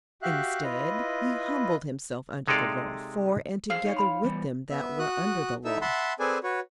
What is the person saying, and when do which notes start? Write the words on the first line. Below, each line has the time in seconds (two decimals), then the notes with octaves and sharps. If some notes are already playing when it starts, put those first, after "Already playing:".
Instead, He humbled Himself under the Law for and together with them that were under the Law.
0.22 F#4 G4 E5 F5 F#6
0.63 E4 F4 B4 D#5
2.48 C3 G#3 D#4 A4 D5 F5
3.70 G#4 A4 C5 F5
3.85 D#4 C#5
3.97 B5 C6
4.24 E3 G3 B3
4.70 B3 E5
4.99 F#4 D#6 F#6
5.65 D#4 E4 A4 E5 E6
5.81 E5 F#5 A5 B5 C6
6.20 C4 G#4 A4 B4 D5 G#5
6.43 F#4 B4 C#5